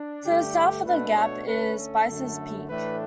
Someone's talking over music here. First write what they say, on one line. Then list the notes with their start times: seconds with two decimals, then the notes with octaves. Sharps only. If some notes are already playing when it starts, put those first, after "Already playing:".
To the south of the gap is Spicers Peak.
Already playing: D4
0.25 G2 D3 A3 G4
0.86 B2 A3 D4 B4
1.16 C#5
1.46 D3 A3 C#4 B4
1.78 A4
2.08 F#2 D3 A3
2.69 A2 E3 A3 D4 B4